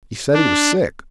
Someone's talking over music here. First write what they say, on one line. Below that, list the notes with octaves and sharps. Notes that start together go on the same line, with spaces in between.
He said he was sick.
D4